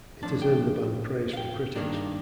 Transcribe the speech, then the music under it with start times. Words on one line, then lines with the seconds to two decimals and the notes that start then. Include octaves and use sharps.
It has earned the band praise from critics.
0.23 A2 F3 A#3 D4 A5
0.42 G5
1.33 F5
1.37 G5
1.76 G2 D#3 A#3 D4